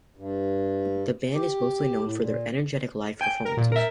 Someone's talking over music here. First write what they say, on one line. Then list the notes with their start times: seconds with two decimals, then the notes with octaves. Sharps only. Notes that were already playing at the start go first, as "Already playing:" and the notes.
The band is mostly known for their energetic live performances.
0.17 G2
1.34 G4
2.01 A2
2.18 A#2
3.21 G5 G#5 G6
3.45 A#4
3.57 A#2
3.72 A#4 E5